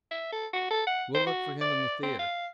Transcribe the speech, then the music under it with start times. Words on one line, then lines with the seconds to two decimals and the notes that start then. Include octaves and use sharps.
We'll look for him in the theater.
0.11 E5
0.32 A4
0.53 F#4
0.71 A4
0.87 F#5
1.14 C5
1.27 F#4
1.61 D5
2.03 C4
2.19 F5